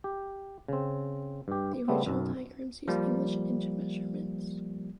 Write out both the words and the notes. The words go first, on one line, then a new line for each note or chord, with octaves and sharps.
The original diagrams use English Inch measurements.
G4
C#3 C4
G2 G4
C#3 G3 A3 B3 C4
B1 F#2
F3 G3 A#3